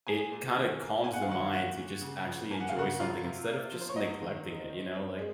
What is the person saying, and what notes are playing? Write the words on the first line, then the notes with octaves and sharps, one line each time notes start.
it kinda calms the mind to just actually enjoy something instead of just neglecting it, you know, like,
A#2 G#4 G#5
A#2
D#3
A#3
C4 G#5
F#5
F5
D#3 F#4 F#5
F5
A#2 F#4 F#5
A#2
C#3
F3
A#3 G#5
F#5
F5
C#3 F#4 F#5
F#3 F4 F5
C3
A#3
F3
C5
C#5
F#3 D#4 D#5
D#3
C4
C4
C4
G#3